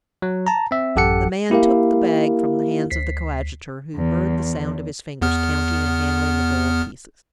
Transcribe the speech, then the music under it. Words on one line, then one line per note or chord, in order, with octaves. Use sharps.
The man took the bag from the hands of the coadjutor, who heard the sound of his fingers counting and handling the gold pieces.
F#3
A5 A#5
C4 E5
A1 F#2 G4 A4 F#5 C#7
A#3 E4 G4 A#4 F5
D2 B6 C7
E2
E2 B3 F6